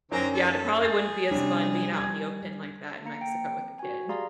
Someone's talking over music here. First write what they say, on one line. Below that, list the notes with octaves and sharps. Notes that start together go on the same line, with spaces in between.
Yeah, and it probably wouldn't be as fun being out in the open like that in Mexico with a kid.
F#2 D3 C4 C#4 D#4 A#4 G#5 A#5
A4
G#4 G6 A6 C7
C3 G3 C#4 D4
G#5 G#6
A#3 A#5 C#7
G5
C4
F#4 G#5
G4 G#4 D5 F5 A#5 C6